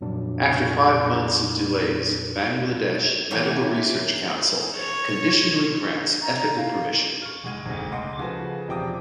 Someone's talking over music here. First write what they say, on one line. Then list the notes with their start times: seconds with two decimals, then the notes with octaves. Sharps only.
After five months of delays Bangladesh Medical Research Council conditionally grants ethical permission.
0.01 F2 A#2 F#3 D4
3.31 E3 A#3 C#4 F#4 G4 C#5
4.77 C#5
6.22 A#5
6.56 F5
7.22 C#6 F6
7.44 F#1 G#3 F#5 G#6 D#7
7.66 G#1 D2
7.92 C#2 F#5 C6 D6
8.19 C#3 F3 F#4 A4 B4
8.67 E1 C3 F3 G5 D6 D#6